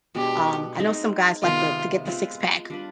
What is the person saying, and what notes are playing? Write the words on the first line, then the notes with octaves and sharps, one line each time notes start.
um, I know some guys like to get the six-pack
B2 G#3 D4 G4
G#3 C4 D#4
C3 D#3 G#3 B3 F4
G#3 C4 F4 B4
G3 D4 F4 B4